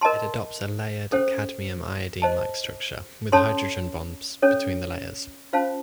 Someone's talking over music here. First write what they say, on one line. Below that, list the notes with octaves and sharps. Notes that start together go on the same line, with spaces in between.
It adopts a layered CdI-like structure with hydrogen-bonds between the layers.
A#4 D#5 A5 C6
C#4 A4 C5 F#5
C5 D#5 A5
C#4 A4 C#5 A5 C6
C#4 A4 C#5
C#4 F4 C5 F5 A5